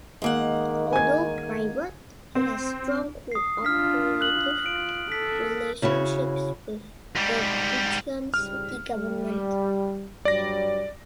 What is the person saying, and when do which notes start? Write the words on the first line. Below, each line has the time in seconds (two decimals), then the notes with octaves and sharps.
Although private, it has strong cooperative relationships with the Bucheon city government.
0.22 D#3 G#3 A#3 F#5
0.93 G#5 G#6
2.35 C4
3.32 D#6 C7
3.65 D4 F4 F6 B6
4.21 F#6 F#7
4.66 F4 D7
5.12 A4 B6
5.82 C#3 E4 F#4 C#5
7.16 G#2 G3
8.34 C#2 G#2 G3 F6
8.95 G3
10.25 G2 F#3 G3 D5 A#6